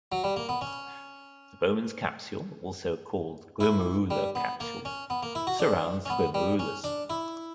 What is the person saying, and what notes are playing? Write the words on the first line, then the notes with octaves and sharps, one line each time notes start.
The Bowman's capsule, also called the glomerular capsule, surrounds the glomerulus.
F#3
G3
A#3
B3
C#4
E4
G3
B3
A#3
C#4
B3
A#3
E4
F#4
D4
C#4
B3
G3
C#4
D4
E4